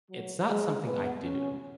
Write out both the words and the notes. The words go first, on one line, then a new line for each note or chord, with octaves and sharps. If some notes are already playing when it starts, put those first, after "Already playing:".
it's not something I do
F#3
G#3
B3
C#4